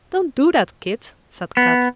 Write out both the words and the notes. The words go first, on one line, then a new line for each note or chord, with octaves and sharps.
"Don't do that, Kit," said Kat.
B3